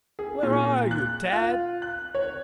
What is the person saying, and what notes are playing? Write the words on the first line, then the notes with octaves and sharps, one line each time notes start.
"Where are you, Tad?"
G#4
A#2
F#6
F4
F#6
C#5